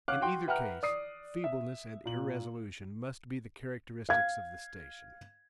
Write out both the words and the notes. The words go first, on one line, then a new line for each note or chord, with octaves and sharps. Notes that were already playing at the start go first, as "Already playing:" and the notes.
In either case, feebleness and irresolution must be the characteristics of the station.
C#5 F5 F#5 D6 F6 F#6
F#4 F#5 G5 C6
B4 E5 F#5 G5 A#5 F6
D5 D#6 C7
E5
A#2 F#7
F5 G#6